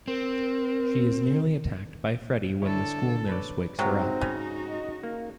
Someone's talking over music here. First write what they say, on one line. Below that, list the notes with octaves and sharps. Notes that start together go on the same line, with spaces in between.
She is nearly attacked by Freddy when the school nurse wakes her up.
C4 A#4
D3 E4 A4 C#5
B4 C#5 D5
G#2 C3 F#3 C4 D#4 F#4 A#5
C#3
D#5
A#3 F5